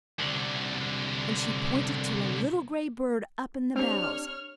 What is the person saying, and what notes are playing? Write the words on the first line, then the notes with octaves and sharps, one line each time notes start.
And she pointed to a little gray bird up in the boughs.
C2 D3
C4 D4 G4 C#5 F6